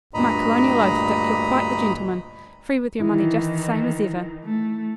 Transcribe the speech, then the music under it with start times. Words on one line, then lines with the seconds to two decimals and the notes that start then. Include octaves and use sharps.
'My colonial oath, Dick, you're quite the gentleman--free with your money just the same as ever.
0.14 D2 G2 A#2 D#5 A#5 B5
3.00 D#3 E3 E4
4.44 A3